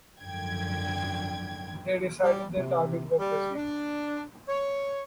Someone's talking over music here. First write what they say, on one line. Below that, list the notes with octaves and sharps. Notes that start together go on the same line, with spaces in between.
They decided their target was Brazil.
G#1 F#2 D3 F3 G5 G#6
G3
C3
G3
D4
C#5